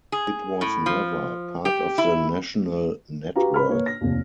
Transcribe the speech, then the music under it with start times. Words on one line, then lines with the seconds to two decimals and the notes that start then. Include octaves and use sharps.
It was never part of the national network.
0.12 G#4
0.61 A2
0.86 F3
1.65 G4
1.98 E4
3.36 F#4 G4 B4 F5 A#5
3.54 B4 B5 F6
3.69 A#3 B4 C#5
3.86 A#6
4.01 F1 D#2